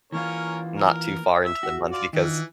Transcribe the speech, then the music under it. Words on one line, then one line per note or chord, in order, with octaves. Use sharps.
not too far into the month because,
E3 A#3 C#4 F4 A#4 C#5
A#4
E5
F#4
F4 D5
D#3 E3 F4